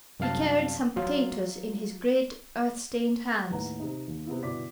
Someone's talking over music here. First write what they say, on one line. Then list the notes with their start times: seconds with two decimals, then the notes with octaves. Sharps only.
He carried some potatoes in his great earth-stained hands.
0.20 C2 F#2 F5 A5
0.96 F#3 F4
3.50 D#2 A2 B4 F#5 A#5
3.80 C3 D#4
4.07 D#2
4.26 C3 B3 E4
4.43 G1 B2 E4 D5 D6 B6